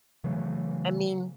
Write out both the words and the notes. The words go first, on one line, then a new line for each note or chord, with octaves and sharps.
I mean
C#3 E3 F#3 A3